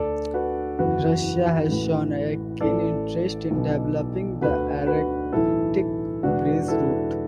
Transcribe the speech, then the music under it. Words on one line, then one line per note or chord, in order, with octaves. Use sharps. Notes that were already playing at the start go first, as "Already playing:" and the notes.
Russia has shown a keen interest in developing the Arctic Bridge route.
Already playing: D2 D3 A4 D5
F#4 B4
F#1 E2 E3 F#4 B4
A1 A2 E3
A1 A2 E3 A4 D5
B1 B2
D2 D3 F#4 B4
F#4 B4
B1 A2 E3 E4 A4
E1 E2 D3 D4 F#4
E4 A4